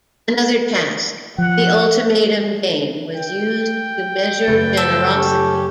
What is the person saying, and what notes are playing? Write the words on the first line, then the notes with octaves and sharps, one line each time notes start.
Another task, the Ultimatum Game, was used to measure generosity.
F3 F#5
G5
F#2 C#3 A3 B4
A4
C#4 G4